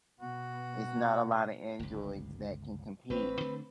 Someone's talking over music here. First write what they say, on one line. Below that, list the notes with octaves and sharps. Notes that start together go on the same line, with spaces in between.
it's not a lotta Androids that can compete.
B2 B3 F#4
G1 C#2
A1 C4 B4
D3 A3 D4